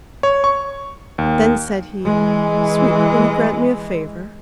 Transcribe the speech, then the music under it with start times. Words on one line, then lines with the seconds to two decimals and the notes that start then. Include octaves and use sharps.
Then said he, "Sweet, will you grant me a favour?"
0.23 C#5
0.44 C#6
1.18 D#2
2.04 E3 G#3